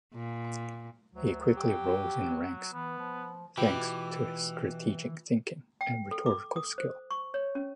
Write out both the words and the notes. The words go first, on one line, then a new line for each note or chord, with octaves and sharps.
He quickly rose in ranks thanks to his strategic thinking and rhetorical skill.
A#2
D2 F#3
G4
E3 B3
F3
B2 E3 F4 G4 B5 F#6
G5
A4
D6
D#6
C5
C#6
C#5
C#4